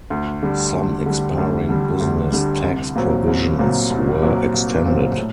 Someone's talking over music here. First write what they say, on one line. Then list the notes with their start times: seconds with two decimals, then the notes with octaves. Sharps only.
Some expiring business tax provisions were extended.
0.10 D2
0.43 D3 G3
0.74 D2
1.06 D3 G3
1.38 D2
1.69 D3 G3
2.01 D2
2.32 D3 G3
2.63 C2
2.95 A#2 F#3 C4
3.27 C2
3.59 A#2 F#3 C4
3.90 C2
4.22 A#2 F#3 C4
4.54 C2
4.85 A#2 F#3 C4
5.17 A2